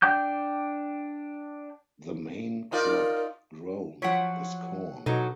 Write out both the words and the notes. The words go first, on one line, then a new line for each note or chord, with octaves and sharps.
The main crop grown is corn.
D4 G5 D6 G6
D#4 F4 A#4 D5
F3 F#3 F4 C#5 F#5 C#6 B6 D7
B2 F#3 D#4 F#4 A4